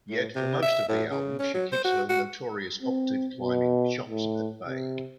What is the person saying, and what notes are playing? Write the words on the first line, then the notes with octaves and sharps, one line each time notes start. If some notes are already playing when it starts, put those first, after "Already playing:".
Yet for most of the album she keeps her notorious octave-climbing chops at bay.
A2
C3
E5
A2
C#3
C#4
F#3
C5
F#4
F#4
C4
B2
A2
C3